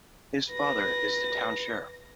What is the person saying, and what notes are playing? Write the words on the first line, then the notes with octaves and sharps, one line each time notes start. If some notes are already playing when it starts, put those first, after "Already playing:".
His father is the town sheriff.
B4 A#6